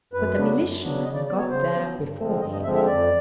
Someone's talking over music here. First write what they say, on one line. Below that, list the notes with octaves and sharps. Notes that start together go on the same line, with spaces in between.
But a militiaman got there before him.
F#2 B4
C#3 F#3 B3 D4
F#2
C#3 F#3 B3 D4
C#3 D#5
D5
F#3 B3 D5
C#5
C#3 C5
F#3 B3
G2
D3 F3 G#3 C4
G2 D#5
D#5
D3 F3 G#3 C4 E5
E5
F2 D5